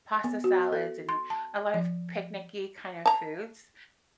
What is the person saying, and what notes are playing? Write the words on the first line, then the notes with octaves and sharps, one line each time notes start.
pasta salads and a lot of picnicky kinda foods.
B3
F#4
A4
C6
A5
F3
A5 A#5